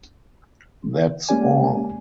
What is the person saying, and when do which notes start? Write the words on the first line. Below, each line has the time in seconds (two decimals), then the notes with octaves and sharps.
That’s all.
1.29 G#3 A#3 C#4 G4 D5 G#5